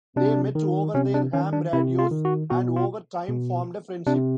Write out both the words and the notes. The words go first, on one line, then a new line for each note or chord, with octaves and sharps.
They met over their ham radios, and over time formed a friendship.
C3 D4
D#3
C3 C#4
D4
D#3 C#4
D4
C3 E4
F4
D#3
F#4
B2 F#4
F4
B2
C3 D4